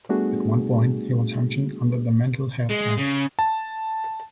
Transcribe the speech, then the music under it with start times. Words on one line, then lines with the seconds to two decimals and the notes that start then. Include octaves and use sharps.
At one point he was sectioned under the Mental Health Act.
0.09 G3 A3 B3 D4 F#4 G#4
2.70 G#3
2.99 C#3
3.39 A5